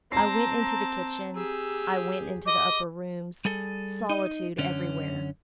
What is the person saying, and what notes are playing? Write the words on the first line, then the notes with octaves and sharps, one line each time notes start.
I went into the kitchen; I went into the upper rooms. Solitude everywhere.
C4 A5 A#5 A#6 C7
G4 G#4 E6
D#5 D6
G3 G#4 A4
D#4 D#5
F#2 D3 C#4